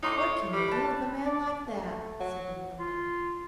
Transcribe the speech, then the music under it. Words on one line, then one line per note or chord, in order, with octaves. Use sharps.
'What can you do with a man like that?' said the Nilghai.
A2 D#4 C6 D6
C#5
G3
B4 A5
D5
A3
F#3
F4